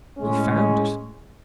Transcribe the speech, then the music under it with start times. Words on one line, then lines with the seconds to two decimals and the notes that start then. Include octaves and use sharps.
He found it.
0.18 A2 G#3 C#4